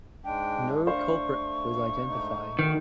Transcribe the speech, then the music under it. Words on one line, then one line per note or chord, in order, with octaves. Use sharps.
No culprit was identified.
G#2 G#3 D4 G5
A3 D4 C5 F5 C#6
G#2 A3 D#4
B2 D3 D#3 A3